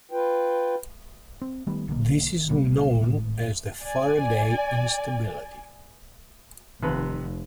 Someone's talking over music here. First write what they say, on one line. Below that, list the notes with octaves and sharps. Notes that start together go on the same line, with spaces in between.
This is known as the Faraday instability.
F4 B4 G5
C4
D#3 G3 A3 B3
B1 D3 D#3 A#3
D2 B2 G3 A#3
G#1 A2
D5 G#5
F1 D#2 C3 B4